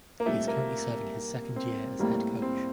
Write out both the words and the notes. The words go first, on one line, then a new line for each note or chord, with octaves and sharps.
He is currently serving his second year as head coach.
A#3
C2 A#2 G3 A3 C4 D#4
A#3
C4
A2 G3 A#3
C4